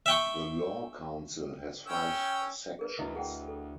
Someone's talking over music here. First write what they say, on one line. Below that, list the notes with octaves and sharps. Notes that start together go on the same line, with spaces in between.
The Law Council has five Sections.
E5 G5 C#6
C#4 G5 E6
G#4 A#4 B4
D2 E4 B4 D#5
G#4 F#5 G5
A4